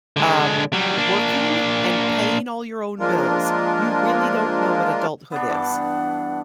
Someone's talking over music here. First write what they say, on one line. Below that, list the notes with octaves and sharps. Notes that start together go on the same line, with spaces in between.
um, working and paying all your own bills, you really don't know what adulthood is.
D3 G#3
F#3 G3
A#3 D4
F3 G#3 A#3 D4 F4 A#4
B3 D4 F#5
G2 E3 A5